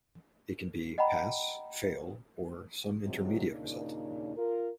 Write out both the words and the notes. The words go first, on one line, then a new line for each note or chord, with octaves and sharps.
It can be "pass", "fail", or some intermediate result.
D#5 F#5 G5 A#5 B5
C3 D#3 F#3 G#3 F4
D#2 A#2 C#3 D4 D#4
F4 A#4